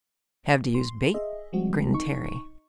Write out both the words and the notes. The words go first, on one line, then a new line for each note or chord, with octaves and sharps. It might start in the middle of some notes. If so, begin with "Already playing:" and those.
"Have to use bait," grinned Terry.
C6
G#4 D#5 E5
F3 G3 G#3 C4 F#4
D#4 C#6